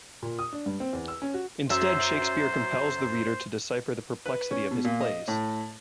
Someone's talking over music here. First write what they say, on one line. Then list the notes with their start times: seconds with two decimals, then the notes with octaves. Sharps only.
Instead, Shakespeare compels the reader to decipher the perplexity of his plays.
0.23 A#2
0.39 D#6
0.53 D4
0.66 G2
0.80 C4
0.93 E2
1.08 E6
1.22 C#4
1.34 F#4
1.70 F#2 C5 E5
4.26 B4
4.51 C#4
4.71 B2
4.84 A#2
5.00 D#5
5.28 A2